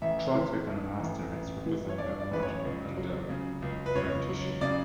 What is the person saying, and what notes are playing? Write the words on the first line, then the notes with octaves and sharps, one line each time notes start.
Tracks with an asterisk represent their original undubbed renditions.
A1 E5
E3
G2
A1
A1
E3
C#5
G2 D5
D5
A1 B4
C#5
C#2
F#3
C#3
C#2
B4
C#2 C#5
F#3
C#3 D5